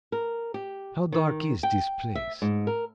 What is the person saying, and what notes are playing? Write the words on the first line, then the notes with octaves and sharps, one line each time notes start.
How dark is this place!
A#4
G4
D#3
G5
E5
G#2
A#4